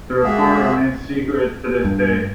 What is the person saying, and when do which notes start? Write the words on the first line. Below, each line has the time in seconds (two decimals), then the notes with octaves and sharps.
The report remains secret to this day.
0.23 G#3 A#3 F#4 G#4 E5
1.85 G2